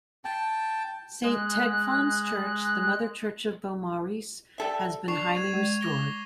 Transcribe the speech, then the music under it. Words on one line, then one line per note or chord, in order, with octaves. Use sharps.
Saint Tegfan's Church, the mother church of Beaumaris, has been highly restored.
G5 A5
G#3 F#6
G3 A4 E5
D4 C#6 C7 F7
G#6 D#7
G#3 D5
D6 A#6 G7